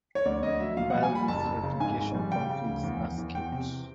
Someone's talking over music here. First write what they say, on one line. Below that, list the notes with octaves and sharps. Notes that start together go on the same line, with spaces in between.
Files with replication conflicts are skipped.
C#5
D2 D5
D2 D#5
F#3 E5
A#2 F5
G3 F#5
G#5
G3 B5
F#1 A5
F#1
C#3
G#2 G#5
G#1
G3
C#3 G5
C#3
D2
E2
E2
E2
E2 G5
C3